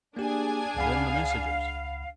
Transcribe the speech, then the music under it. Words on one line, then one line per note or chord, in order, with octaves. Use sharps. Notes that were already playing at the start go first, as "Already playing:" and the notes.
And then the messages!
A#3 D4 G4 G#4 G#5
C#2 F5 F#5 B5